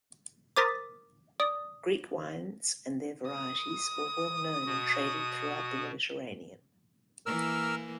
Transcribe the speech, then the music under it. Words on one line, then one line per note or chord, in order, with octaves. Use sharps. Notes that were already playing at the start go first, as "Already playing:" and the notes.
Greek wines and their varieties were well known and traded throughout the Mediterranean.
A#4 C5 D6 D#6 A6 B6
D5 D#6
D#6
B2 F#4
E3 A#3 A#4 E6 F6